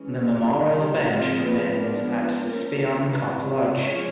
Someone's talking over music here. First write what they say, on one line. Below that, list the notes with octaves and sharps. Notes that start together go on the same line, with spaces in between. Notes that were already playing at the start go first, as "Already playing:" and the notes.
The Memorial bench remains at Spion Kop Lodge.
Already playing: E3 G#3 C#4
A4
G3 A#3 D4 G#4
G4
F3 G#3 C4 F4
B4
F3 G#3 B3 D4 A#4
F3 A#3 C#4 A#4
E3 G#3 C4 B4
F3 G#3 C#4 C#5